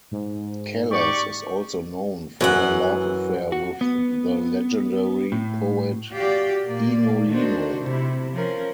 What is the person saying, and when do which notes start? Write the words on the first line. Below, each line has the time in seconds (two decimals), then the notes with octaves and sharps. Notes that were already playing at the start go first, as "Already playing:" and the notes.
Kallas is also known for her love affair with the legendary poet Eino Leino.
0.11 G#2
0.91 G4 D5 C#6
2.41 F#2 E3 F#5
3.52 F#4
3.81 B3
5.32 A2
6.12 F#4 G4 D5 F5
6.66 A#2 A#3 D5
7.27 D#3 A3 D4 F#4 C5
7.82 C3 E4
8.34 F3 C#4 A#4